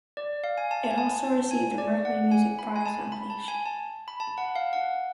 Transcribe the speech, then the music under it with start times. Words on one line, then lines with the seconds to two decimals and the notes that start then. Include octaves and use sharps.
It also received a Mercury Music Prize nomination.
0.17 D5
0.44 F5
0.58 G#5
0.71 A5
0.84 A5
0.91 G#5
0.98 A5
1.24 A5
1.51 G#5
1.78 D5
2.05 F#5
2.31 G#5
2.59 B5
2.76 G#5
2.86 A5
3.12 B5
3.30 A5
3.48 G#5
3.66 A5
4.08 B5
4.20 A5
4.38 F#5
4.55 F5
4.73 F#5